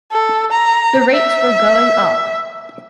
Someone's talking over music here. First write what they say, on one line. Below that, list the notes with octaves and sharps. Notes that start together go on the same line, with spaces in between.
The rates were going up.
A4
A#5
E5